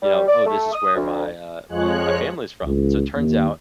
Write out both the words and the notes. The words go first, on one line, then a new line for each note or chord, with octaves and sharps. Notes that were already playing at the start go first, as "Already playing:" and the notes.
you know, "Oh, this is where my," uh, "my my family is from," and so it turns out,
G3
D5
A3
D#6
D2
F2 F3 G#3 C#5 F#6
C#2
D#2